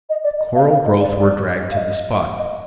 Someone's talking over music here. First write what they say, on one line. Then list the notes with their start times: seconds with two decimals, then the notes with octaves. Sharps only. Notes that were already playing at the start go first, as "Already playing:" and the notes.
Coral growth were dragged to the spot.
0.09 D#5
0.24 D5
0.39 D#5
0.55 F5
0.70 F5
0.85 D#5
1.00 D5
1.15 D5
1.71 F5
1.76 D#5
2.38 D#5